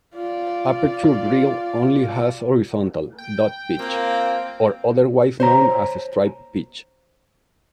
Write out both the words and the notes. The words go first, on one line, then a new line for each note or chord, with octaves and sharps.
Aperture grille only has horizontal 'dot pitch', or otherwise known as 'stripe pitch'.
F4 D5
G5
F3 A#3 C4 F5
C5 C#5 A#5